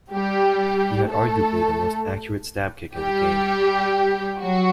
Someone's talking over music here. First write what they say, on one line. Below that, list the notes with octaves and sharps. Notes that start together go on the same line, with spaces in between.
He had arguably the most accurate stab kick in the game.
G3 G4
A3 A4
G3 G4
F#3 F#4